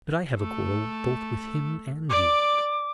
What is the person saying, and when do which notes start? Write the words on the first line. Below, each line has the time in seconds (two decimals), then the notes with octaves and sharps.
But I have a quarrel both with him and you.
0.39 A3 A4
2.10 D5 D6